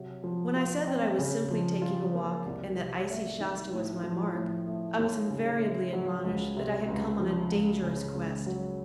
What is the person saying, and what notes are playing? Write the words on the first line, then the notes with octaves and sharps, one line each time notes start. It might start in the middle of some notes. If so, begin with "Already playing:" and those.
When I said that I was simply taking a walk, and that icy Shasta was my mark, I was invariably admonished that I had come on a dangerous quest.
Already playing: C3 F#3
F3
F4
C4
C#3
F3
F4
A#3
C2
C3
A3
D#3
A2
F3
A2
A3
D#2
C#3
A3
F#3
C#2
C3
C#2
F3
C#2
C#3
C#2
F#3